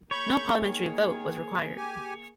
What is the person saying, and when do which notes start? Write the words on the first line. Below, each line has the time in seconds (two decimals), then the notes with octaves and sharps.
No parliamentary vote was required.
0.11 A#3 G#4 C#5 B5 C#6 G6
0.62 D#3
1.77 G4 G#5